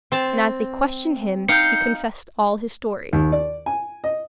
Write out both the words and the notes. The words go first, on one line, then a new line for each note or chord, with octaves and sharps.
And as they questioned him, he confessed all his story.
C4 A5
D#4 F5 G5 G6 C#7
D#2
D5
G#5
D#5